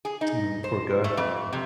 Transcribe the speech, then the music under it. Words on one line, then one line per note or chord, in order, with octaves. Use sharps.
No, poor guy.
G#4
D#4
C5
A3
F2
C3